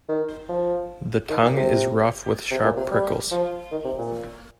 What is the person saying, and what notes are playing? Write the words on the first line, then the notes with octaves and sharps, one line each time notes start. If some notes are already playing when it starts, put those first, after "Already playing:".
The tongue is rough with sharp prickles.
D#3
F3
D#3
A#2
C3
C3
A#2
C3
G3
F3
D#3
C3
A#2